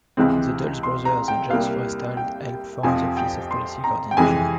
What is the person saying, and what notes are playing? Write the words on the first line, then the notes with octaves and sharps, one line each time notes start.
The Dulles brothers and James Forrestal helped form the Office of Policy Coordination.
C#2 C3 E3 G#3 C4
C6
A#5
G5
C2 C3 G3 A#3 F5
G5
F2 C3 F3 C4 G#5
G5
C6
A#5
G5
F2 C3 E3 G#3 G#5